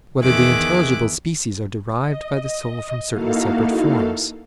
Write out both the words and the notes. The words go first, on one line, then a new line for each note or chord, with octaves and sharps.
Whether the Intelligible Species Are Derived by the Soul from Certain Separate Forms?
E2 D#3 G#4 E5 D6 F#6
D#5
A#3 D#4 E4 F#4 A4 F5